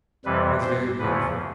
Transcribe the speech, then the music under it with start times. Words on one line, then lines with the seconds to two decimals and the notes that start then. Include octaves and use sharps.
He was very beautiful.
0.25 F2 C3 E3 G3 B4
0.62 C5
0.99 E2 C#3 F3 B4